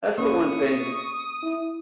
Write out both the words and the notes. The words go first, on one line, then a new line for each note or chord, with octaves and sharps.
that's the one thing
A#3 C#4 B4 C#6 D#6
E4